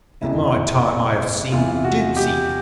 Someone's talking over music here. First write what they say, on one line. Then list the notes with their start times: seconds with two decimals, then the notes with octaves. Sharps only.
In my time I have seen dukes eat.
0.22 F#1 F2 C3 E4
1.52 E2 C3 E3 F4
1.84 F#4
2.17 G4